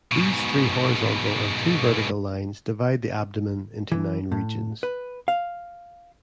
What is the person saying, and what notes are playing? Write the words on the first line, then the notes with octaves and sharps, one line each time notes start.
These three horizontal and two vertical lines divide the abdomen into nine regions.
G#2 B2
E3
A2
B4
F5